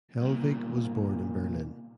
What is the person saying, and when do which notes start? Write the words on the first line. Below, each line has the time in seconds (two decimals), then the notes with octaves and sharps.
Hellwig was born in Berlin.
0.21 C2 A#2